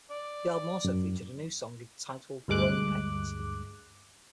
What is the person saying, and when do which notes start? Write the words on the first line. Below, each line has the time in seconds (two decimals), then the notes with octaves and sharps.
The album also featured a new song titled "Growing Pains".
0.10 D5
0.85 F#2
2.48 D2 G2 G#3 D6 F#6